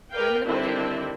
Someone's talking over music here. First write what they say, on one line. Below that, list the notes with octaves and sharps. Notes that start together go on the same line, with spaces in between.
room in the budget.
A#4 B4 D5 F5 G5
D3 D#3 G3 C4 D4 E4